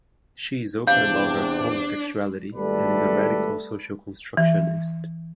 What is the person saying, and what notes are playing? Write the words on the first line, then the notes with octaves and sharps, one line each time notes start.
She is open about her homosexuality, and is a radical social constructionist.
E2 C3 D4 F5 G6
G#1 G3 A3 A4 B4 D5
E3